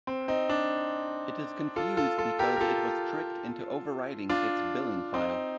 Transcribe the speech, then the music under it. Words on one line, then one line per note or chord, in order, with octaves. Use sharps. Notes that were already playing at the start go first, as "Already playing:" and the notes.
It is confused because it was tricked into overwriting its billing file.
C4
C4 D#4
D4
F4 A4
F4 A4
F4 A4
G4 A#4
A#4
F4 A4
D4 F4
C4 D#4